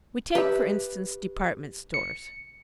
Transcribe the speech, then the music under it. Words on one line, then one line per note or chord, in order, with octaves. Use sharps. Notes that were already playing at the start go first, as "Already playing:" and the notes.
We take, for instance, department stores.
G4 B4 E5
C#7